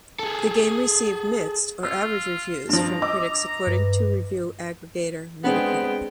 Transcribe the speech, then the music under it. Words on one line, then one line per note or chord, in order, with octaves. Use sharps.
The game received "mixed or average reviews" from critics according to review aggregator Metacritic.
G#4 A4
F4 E6
G2 F3 A#5
D#5 D6 E6
G2 B4
G#3 B3 C4 D4 G#4 G5